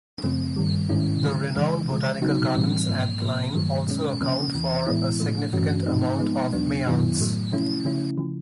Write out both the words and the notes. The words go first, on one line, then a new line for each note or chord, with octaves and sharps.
The renowned botanical gardens at Clyne also account for a significant amount of Mayals.
F#2 C#3 F3 A3 C4
G2 D#3 G3
G#2 D#3 G#3 C#4 E4
D3 F3 G#3
F2 C#3 E3 G#3
C#3 F3 G#3
C#3 F#3 B3 D#4 F#4
A2 E3 G3 C4
G#2 F3 A#3
A2 F3 A#3
G2 D#3 F#3 A3
B2 G#3 C#4
F2 C#3 F3 A#3 C#4
E2 C3 E3
A2 E3 G#3 B3 E4
A2 F3 A3
G2 E3 A3 C#4 F#4
G#2 F3 A3 C4 D#4
F3 G#3 B3 D#4
E2 B2 F#3 B3 D4
F#2 D#3 F#3 B3 E4
A2 F#3 A3
C3 F3 A3 C#4 E4
C#3 F3 A3 C#4 E4
C#3 F3